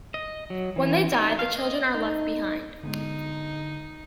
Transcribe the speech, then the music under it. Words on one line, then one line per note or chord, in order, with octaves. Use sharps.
When they die, the children are left behind.
D#5
F#3
E3
D#4
F5
D#5
D#4
B1 G#2 D3 D#4